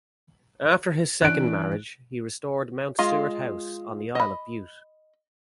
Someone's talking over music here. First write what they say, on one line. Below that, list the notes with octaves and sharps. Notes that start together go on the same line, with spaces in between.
After his second marriage, he restored Mount Stuart House on the Isle of Bute.
E3 C#4 D4 F#6 D7
G#3 F4 D#5 F5
D#5 B5